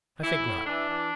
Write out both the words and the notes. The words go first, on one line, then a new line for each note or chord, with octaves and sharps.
I think not.
E3 E4
A2
E3 D4
E3